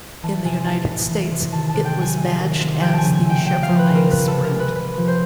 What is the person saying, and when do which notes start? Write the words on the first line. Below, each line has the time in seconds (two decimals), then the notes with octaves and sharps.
In the United States, it was badged as the Chevrolet Sprint.
0.23 E3 A5
0.45 C3 G#5
0.66 A3 A5
0.88 C3
1.09 E3
1.31 C3
1.52 D#3 A5
1.69 A5
1.74 C3
1.85 G5
1.96 F#3
2.01 G#5
2.17 A3
2.38 D#3
2.60 C3
2.81 F3 G5
2.93 G#5 A5
3.03 C#3
3.14 G#5
3.25 A3 G5
3.46 C#3 G5
3.63 F5
3.68 F3
3.79 B4
3.89 C#3
3.95 A#4
4.11 F3 B4
4.28 A4
4.33 C3
4.44 A#4
4.55 G#3
4.60 B4
4.76 C3 B4
4.97 F3
5.08 C5